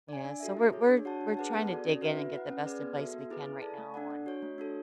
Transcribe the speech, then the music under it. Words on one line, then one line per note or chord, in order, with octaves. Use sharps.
yeah, so, we're we're we're trying to dig in and get the best advice we can right now, and
D5 G#5
D4
F#4 A4 E5
E4
G#4 C#5
D4
F#4 C#5 F#5 A5
D4
G#4 B4 F#5 A5
B3
F#4 A4 D5
C#4
F#4 B4 E5
E4
B4 F#5
C#4
G#4 B4 D5
B3
F#4 A4 E5
B3
E4 G#4 B4
E4
A4 D5 A5
A3
D4 A4 D5 F#5
D4
F#4 C#5
A3
D4 F#4 A4 C#5